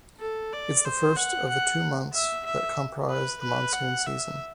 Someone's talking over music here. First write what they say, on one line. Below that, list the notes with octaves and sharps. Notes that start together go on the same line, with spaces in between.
It is the first of the two months that comprise the monsoon season.
A4
D5
C5
F#5
F#5
E5
E5
B4
B4
F#5
E5